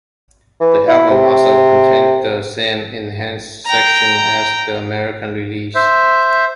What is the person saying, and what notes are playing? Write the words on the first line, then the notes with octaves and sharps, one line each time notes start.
The album also contained the same enhanced section as the American release.
E3
E4
C3
G5 A#5
C5 E5